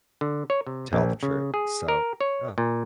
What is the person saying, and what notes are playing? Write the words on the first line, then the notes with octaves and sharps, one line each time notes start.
tell the truth? So, uh,
D3
C#5
C3
A#1
C#3
G#4
A#4
C#5
A#2